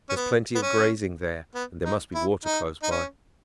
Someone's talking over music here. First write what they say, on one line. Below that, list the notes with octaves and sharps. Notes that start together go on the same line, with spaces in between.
There's plenty of grazing there and there must be water close by.
C#4
B3
B3
C#4
B3
D#4
E4
D#4
D#4
C#4